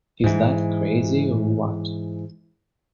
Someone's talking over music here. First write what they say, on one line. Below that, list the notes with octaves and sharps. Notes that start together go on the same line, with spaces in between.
Is that crazy or what?
G#2 E3